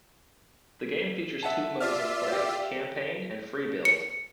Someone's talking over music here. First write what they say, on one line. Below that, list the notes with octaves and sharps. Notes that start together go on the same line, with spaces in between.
The game features two modes of play - Campaign and Free-Build.
E5 F#5 A5
F4 D5 E5 F6
G4
C#7